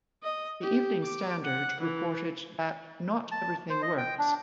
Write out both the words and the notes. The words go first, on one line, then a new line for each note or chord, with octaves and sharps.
The "Evening Standard" reported that "Not everything works".
D#5
G4
D6
F#5
E3
A5
C5
D#5
G5
D4